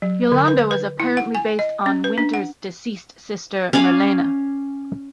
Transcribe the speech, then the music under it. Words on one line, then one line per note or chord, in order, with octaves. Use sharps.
Yolande was apparently based on Wynter's deceased sister Merlene.
F#3
D3
B4
B4
E4
F#5
G#5
D#5
C#4
B4
D4
F#5
C#4 D5 F5 G#5